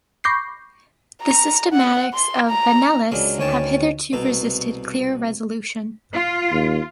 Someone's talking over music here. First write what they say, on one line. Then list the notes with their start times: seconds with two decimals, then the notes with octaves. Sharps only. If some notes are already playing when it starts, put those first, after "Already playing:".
The systematics of "Vanellus" have hitherto resisted clear resolution.
0.24 B5 C#6 D6 G6 A#6 C7
1.23 A#5
1.73 F#5
2.13 C6
2.48 A#5
3.12 C#2 F#3 G#3 D4 A#4
3.38 D2 D#3 C#4 C#5 G5 A5
4.13 C2 B2 A4 B4 A#5
6.13 F4
6.51 D#2